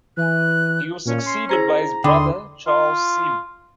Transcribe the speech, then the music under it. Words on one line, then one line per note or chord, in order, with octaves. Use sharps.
He was succeeded by his brother Charles Seymour.
E3 F#6
A#2 C#4
C6
E4 G#4 C5 A#5
D#2 D3 B5 C6 D6 D#6
F4